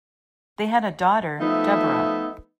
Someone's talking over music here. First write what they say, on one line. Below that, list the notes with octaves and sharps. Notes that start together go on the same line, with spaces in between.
They had a daughter, Deborah.
F3 A3 B3 D#4 E5